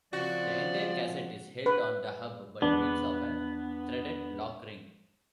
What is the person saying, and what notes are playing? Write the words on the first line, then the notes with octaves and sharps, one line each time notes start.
The entire cassette is held on the hub by means of a threaded lockring.
C#3 F3 C4 F#4 D5
B4
E2 B3 D4